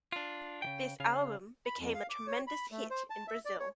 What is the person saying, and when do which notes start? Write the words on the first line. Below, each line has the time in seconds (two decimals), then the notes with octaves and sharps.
This album became a tremendous hit in Brazil.
0.12 D4 F4
0.62 C#3 E3 G5
1.00 C#3 F5
1.66 B5
1.79 F2
1.94 F5
2.10 D6
2.27 C#5
2.47 B5
2.72 A3
2.90 C5
3.10 A5
3.28 E5
3.45 D5
3.60 C#5